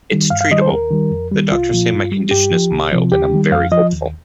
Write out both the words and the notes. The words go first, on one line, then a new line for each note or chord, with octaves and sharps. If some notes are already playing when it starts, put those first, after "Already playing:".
It's treatable - the doctors say my condition is mild and I'm very hopeful.
D#3 G3
G2 F5
F5
D#3 G3 D#5
C5
D#2 A#4
D#3 G3
F2
D#3 G3
C2 F4
A#2 F3
G2
G3
G2 G4
F3
C2
C3 F3
D#2 G4
D#3 G3
F2 F5
F3 D#5
D#2